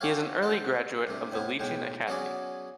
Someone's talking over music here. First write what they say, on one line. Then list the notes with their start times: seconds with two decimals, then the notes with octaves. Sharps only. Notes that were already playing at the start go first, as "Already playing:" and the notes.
He is an early graduate of the Legion Academy.
0.01 C#4 F#4 G4 A4 C#5 F5
0.42 A4 C5 F#5 A5
1.07 G2 C3 A3
1.32 A2 C3 B3 E4
1.59 B1 A2 G#3 G5
2.07 F#3 B3 C#4 F#4 G#4 D5